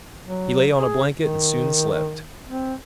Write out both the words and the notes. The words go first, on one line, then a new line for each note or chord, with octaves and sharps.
He lay on a blanket and soon slept.
F#3
G#4
D#3
C4